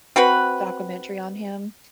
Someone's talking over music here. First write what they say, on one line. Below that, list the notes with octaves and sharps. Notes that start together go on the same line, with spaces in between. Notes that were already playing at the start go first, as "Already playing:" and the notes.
documentary on him.
C4 F#4 B4